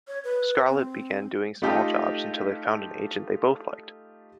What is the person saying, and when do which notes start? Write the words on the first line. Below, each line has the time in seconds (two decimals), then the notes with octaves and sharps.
Scarlett began doing small jobs until they found an agent they both liked.
0.08 C#5
0.24 B4
0.69 C4
1.62 A3 D#4 F4 G4 A4